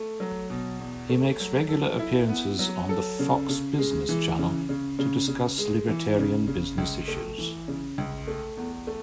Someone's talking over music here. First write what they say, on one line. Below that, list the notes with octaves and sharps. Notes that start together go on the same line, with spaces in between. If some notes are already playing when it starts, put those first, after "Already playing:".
He makes regular appearances on the Fox Business Channel to discuss libertarian business issues.
Already playing: A3
F#3
B2
E2
A3
F#3
A4
E4
B3
F#3
A4
C#3
C#3
G#3
E3
C#3
C#3
C#3
C#3
G#3
E3
C#3
C#3
C#2
A3
E3
C#3
C#2
A3
E2
A3